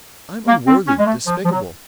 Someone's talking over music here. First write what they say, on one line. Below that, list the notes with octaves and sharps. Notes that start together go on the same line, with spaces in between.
I'm unworthy, despicable.
A#3
C4
C#4
G#3
A3
F3
F3
F#3